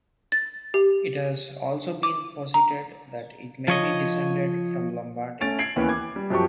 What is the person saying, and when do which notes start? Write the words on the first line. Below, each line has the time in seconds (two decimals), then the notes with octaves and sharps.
It has also been posited that it may be descended from Lombardic.
0.32 A6
0.74 G4
2.03 D6
2.54 A#5
3.68 F3 C#5 D#5
5.41 A3 C#4 A6 D7 F7
5.59 G#6 C7 D7 F#7
5.76 D#2 E3 B3 C#4
5.89 D6 G#6
6.16 G3
6.30 F#2 F3 F#3 G4 A5 C#6